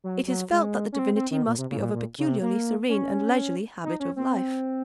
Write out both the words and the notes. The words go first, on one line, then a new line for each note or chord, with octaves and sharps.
It is felt that the divinity must be of a peculiarly serene and leisurely habit of life.
F#3
F#3
G#3
C#4
C4
C4
D#3
A#2
C3
C#3
G#2
A#2
A#2
C#3
C3
A#3
C#4
D#4
C#4
C4